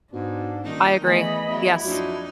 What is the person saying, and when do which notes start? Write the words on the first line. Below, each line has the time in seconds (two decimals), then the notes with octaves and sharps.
I agree. Yes.
0.13 G#2 B2 D4
0.64 D#1 D#3 D#4
1.04 E2 E3 A3 D#5 B5
1.48 E2 F#3 E4
1.84 F2 F#3 D4 D#4